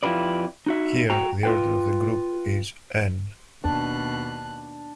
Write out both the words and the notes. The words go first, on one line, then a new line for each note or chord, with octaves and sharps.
Here the order of the group is "n"!
F2 E4 F4 G4 B4 D5
D#4 F#4 E5
F#4 G5 A#5
F4 B4 G5
D#2 B2 D4 F#6